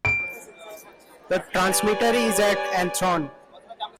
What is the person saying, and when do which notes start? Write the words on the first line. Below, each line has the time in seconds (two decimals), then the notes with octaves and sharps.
The transmitter is at Anthorn.
0.05 D7
1.61 G4 B4 C#5 D5 G#5